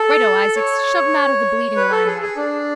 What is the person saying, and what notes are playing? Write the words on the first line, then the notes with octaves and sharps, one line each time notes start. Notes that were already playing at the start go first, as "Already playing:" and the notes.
Righto, Isaacs, shove em out of the bleeding limelight.
Already playing: A4
C#5
B4
A4
G#4
G#4
D4